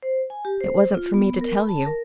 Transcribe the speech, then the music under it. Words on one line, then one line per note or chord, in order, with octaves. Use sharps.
"It wasn't for me to tell you."
C5
G#5
G4
C5
F4
B3
A#4
B5
A5
A#4